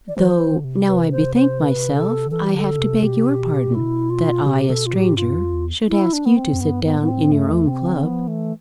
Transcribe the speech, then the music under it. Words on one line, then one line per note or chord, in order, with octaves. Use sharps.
"Though now I bethink myself, I have to beg your pardon;--that I a stranger should ask you to sit down in your own club."
D5
E3 C5
F3
E3
D3
C3
B4
C5
C5
B4
A4
D3
E3 A4
G4
D3 A4
C3
B2 G4
C3
B2
E4
F4
B2 G4
B2 A4
F4
A2 G4
G2 F4
F2
E2
E4
D4
B3
C4
F2
G2 B3
B3
A2 B3
C4
G2 A3
E2
C3 C4
D3
F3 B3
E3 A3